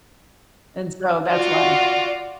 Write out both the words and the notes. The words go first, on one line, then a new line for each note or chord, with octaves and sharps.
and so that's why.
F4 F#4 D5